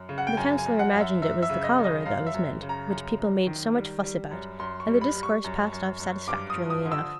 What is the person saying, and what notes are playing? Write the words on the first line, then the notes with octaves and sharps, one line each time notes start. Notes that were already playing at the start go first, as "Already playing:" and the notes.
The Councillor imagined it was the cholera that was meant, which people made so much fuss about; and the discourse passed off satisfactorily enough.
Already playing: F#2
C#3
F#5
G5
F#2 G#5
G#5
F#2
F#5
F#2
E5
F#2 E5
E5
C#3
D#5
F#2
D#5
F#2 F5
E5
F#2
C#3
A#5
F#2
F#2
D#3
G3
G3
F#2
F#2 C6
C#6
G3
B5
G3
C#6
F#2
F#2
F#2
G2 D6
D#6
F3
D#6
D3
E6